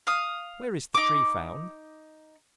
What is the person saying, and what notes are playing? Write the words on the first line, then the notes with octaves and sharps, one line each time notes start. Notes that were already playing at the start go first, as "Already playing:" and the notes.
Where is the Tree found?
F5 D#6
D#4 D6